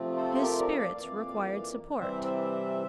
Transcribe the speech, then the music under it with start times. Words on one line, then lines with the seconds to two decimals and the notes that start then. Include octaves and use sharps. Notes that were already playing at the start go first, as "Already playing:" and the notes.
His spirits required support.
Already playing: C3 F3 A3 C4 F4
0.16 A4 C5
0.35 C5
0.42 G4 A#4
0.59 A#4 D5
0.78 D5 F5
0.95 F2 E3 A#3 D5 F5
1.99 C3 E3 G3 C4 C5 E5
2.25 C5 E5